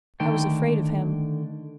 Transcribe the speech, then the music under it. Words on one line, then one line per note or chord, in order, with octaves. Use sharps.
I was afraid of him.
D3 D#3 A3 G5